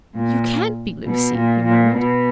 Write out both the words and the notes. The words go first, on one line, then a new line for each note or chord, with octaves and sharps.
"You can't be Lucy!" he murmured.
A#2
B2
A#2
A#2
B2